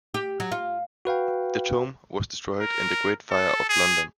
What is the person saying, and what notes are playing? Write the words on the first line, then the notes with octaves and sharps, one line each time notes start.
The tomb was destroyed in the Great Fire of London.
G4
F#3
F4
F#4 B4 F5 G5
A#4
A4
G#4